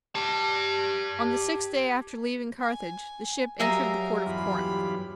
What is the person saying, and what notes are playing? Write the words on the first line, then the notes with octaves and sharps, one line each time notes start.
On the sixth day after leaving Carthage the ship entered the port of Corinth.
G4 A5
G#5
F#3 G3 G#4 A#4 E5 F5 A#5
E2 G2 F4 B5